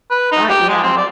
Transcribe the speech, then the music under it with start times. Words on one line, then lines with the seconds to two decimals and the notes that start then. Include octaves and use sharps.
Uh, yeah.
0.11 B4
0.32 D#4
0.50 G4
0.69 G#3
0.83 C4
0.97 D5